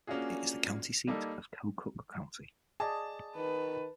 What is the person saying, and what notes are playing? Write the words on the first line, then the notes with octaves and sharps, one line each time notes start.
It is the county seat of Keokuk County.
A#3 C#4 D4 F4 F#4 G#4
G3 A#3 D#4 A4
G#4 D5 D#5 A5
D#3 B4